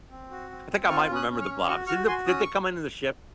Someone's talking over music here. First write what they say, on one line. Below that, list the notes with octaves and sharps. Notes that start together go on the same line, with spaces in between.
think I might remember the blobs. Did the did they come into the ship,
C4
F#4
C4
C4
F4 C#6 F6
C#4
D#6 F#6
C#4
C#6 F6
C#4
F#4 C#6 F6
F#4 C#6 F6
F#4 G#5 C6
C#4 D#6
C#6